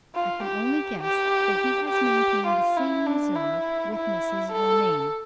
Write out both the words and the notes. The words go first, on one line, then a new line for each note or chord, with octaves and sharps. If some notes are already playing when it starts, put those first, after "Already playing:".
I can only guess that he has maintained the same reserve with Mrs. Romayne.
F4
G4
G4
G4
F4
E4
D4
E4
E4
A4